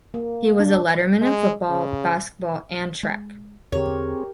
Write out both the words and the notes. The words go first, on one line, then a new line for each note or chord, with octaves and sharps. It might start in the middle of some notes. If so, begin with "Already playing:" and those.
He was a letterman in football, basketball, and track.
A#3
D4
G#3
C#3
G#3
E2 D3 C4 G4 G#4 A#4 C#5